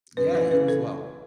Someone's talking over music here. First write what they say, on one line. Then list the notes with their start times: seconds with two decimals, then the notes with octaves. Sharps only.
Yeah, you as well.
0.17 F#2 B4
0.35 E3 B4
0.51 C#3 B4
0.68 A4